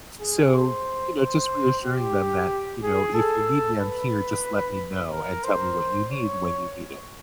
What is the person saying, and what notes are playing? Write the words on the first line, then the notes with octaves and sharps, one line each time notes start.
So, you know, just reassuring them that, you know, "If you need me, I'm here, just let me know and tell me what you need when you need it."
G#4
C5
C5
G4
G#4
A4
B4
A#4
C5
C#5